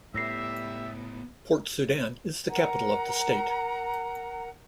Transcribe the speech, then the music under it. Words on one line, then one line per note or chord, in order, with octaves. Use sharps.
Port Sudan is the capital of the state.
C#2 A2 G3 B3 E5 E6 A#6 C7
A#4 F#5 A#5